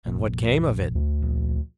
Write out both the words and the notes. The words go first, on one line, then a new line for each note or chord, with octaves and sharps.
"And what came of it?"
F1 A#1 A#2
D2
A#1